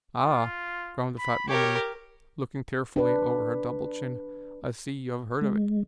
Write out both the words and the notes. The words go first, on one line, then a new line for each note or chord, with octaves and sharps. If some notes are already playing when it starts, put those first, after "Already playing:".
"Ah!" groaned the fat woman, looking tearfully over her double chin, "I see you have heard of it."
F4
B5
G4 A#4 C#5
D4 B4
G#3